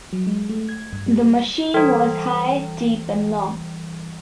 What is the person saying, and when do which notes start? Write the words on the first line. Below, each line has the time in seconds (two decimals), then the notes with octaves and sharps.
The machine was high, deep and long.
0.13 F#3
0.27 G#3
0.49 A3
0.69 G#6
0.92 G2
1.06 G3
1.74 E3 G3